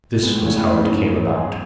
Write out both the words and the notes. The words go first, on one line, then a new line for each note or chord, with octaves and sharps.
This was how it came about.
G#3 B3
A2
C#3 C#5
A2
A2 C#3
G#2
F#2
G#2 C#4
B3
G#4